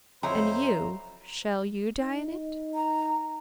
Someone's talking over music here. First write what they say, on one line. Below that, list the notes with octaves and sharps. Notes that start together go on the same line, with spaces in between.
"And you--shall you die in it?"
F2 F#3 D#4 E4 C5 A#5
D#4
A#5